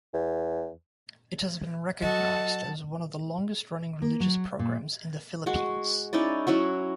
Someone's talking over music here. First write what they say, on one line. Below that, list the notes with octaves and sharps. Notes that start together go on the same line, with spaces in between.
It has been recognized as one of the longest-running religious programs in the Philippines.
E2
F#3 F#4 A4 D#5 F#5 A5
A#3
F#3
A#2
G#3 F#4
C#4 D#4 E4 D5
F#3 C#4 E4 F#4